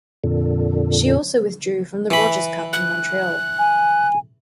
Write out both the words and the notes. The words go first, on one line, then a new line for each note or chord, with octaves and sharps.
She also withdrew from the Rogers Cup in Montreal.
F2 A#2 D3
E3 B5
F#6
G#5